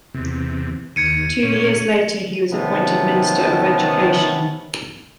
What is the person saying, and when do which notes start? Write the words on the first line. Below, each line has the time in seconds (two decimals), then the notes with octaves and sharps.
Two years later he was appointed Minister of Education.
0.14 E2 C3
0.96 D#2 G#6 C#7 D#7
1.43 A#2 C#4
2.52 C3 D#3 B3 C#4 A5